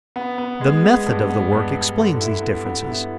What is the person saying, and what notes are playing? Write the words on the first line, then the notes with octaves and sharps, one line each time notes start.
The method of the work explains these differences.
B3
B3
G#3
B3
G2
B3
G2
G2
D3
E4
B3
B3
E4